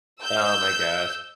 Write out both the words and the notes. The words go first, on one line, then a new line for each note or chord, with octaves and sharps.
Oh my gosh.
E6 G6